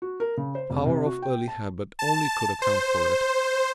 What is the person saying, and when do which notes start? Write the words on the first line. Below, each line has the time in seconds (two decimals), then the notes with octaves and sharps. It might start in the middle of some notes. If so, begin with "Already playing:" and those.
The power of early habit only could account for it.
0.02 F#4
0.20 A#4
0.37 C#3
0.55 C5
0.70 F1
0.86 C3
1.06 F#4
1.22 G5
1.48 A5
1.99 A5
2.62 C5